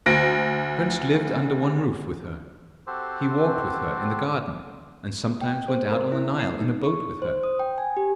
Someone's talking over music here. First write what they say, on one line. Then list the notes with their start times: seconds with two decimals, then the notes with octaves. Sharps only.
The prince lived under one roof with her, he walked with her in the garden, and sometimes went out on the Nile in a boat with her.
0.06 D2 A#6 D7
2.87 C4 F#4 G4 A4 C5
5.41 G5
5.68 C5
5.91 A#4
6.12 E4
6.39 C7
6.61 D#4
6.84 C#6
7.22 C5
7.43 D#6
7.59 G5
7.78 G#5
7.97 G4